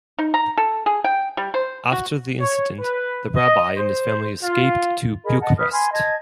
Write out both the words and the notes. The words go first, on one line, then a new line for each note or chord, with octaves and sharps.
After the incident, the Rabbi and his family escaped to Bucharest.
D#4
A#5
A4
G#4
G5
G3
C5
F#4
C#5
B4
D#5
C5
F4
G#4 A#4 D#5 B5
D#5 F#5 A5
B4 D#6 F6
G#5 B5 C6
D#5 A5 G#6